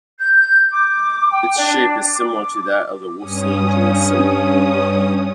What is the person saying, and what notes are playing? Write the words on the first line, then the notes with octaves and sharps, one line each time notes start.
Its shape is similar to that of the "Wolfsangel" symbol.
G6
D6
G5
D4
D6
G2 C#4 D#6